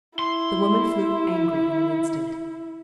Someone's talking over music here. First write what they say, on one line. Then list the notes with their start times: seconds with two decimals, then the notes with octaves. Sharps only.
The woman flew angry in an instant.
0.19 E4 C6